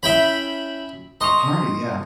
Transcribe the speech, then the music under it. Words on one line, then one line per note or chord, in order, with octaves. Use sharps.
Hardy, yeah.
C#4 E4 E5 G5 B5
D#5 C6 C#6 F7